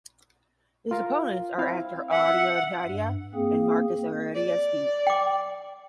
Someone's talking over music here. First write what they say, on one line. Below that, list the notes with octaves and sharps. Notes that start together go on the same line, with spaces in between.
His opponents are actor Arjo Atayde and Marcus Aurelius Dee.
F4 A#4 F5
C4 E4 F5
E5 F#5
G2
A#3 C4 G#4
D5
G5 D6